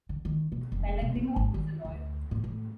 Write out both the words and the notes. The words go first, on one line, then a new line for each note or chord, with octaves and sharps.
Pellegrino was a lawyer.
D3
D#3
B2
F1
B2
A#2
G#1
D#3
D2
A2
A2